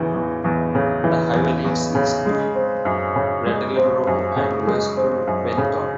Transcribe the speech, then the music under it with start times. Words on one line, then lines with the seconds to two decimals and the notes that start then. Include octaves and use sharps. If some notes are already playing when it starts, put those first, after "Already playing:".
The highway leads east to Brattleboro and west to Bennington.
Already playing: E2 C#3 E3
0.14 E2
0.44 E2
0.75 C#3
1.04 E3
1.35 E2
1.65 E2
1.95 C#3
2.26 G#3
2.55 C4
2.85 F#2
3.16 C#3
3.46 G#3
3.77 C4
4.07 F#2
4.36 C#3
4.67 G#3
4.97 C4
5.27 F#2
5.57 C#3